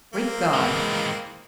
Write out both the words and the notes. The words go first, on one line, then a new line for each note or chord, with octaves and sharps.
Great God!
A#3 C4
E3 G#3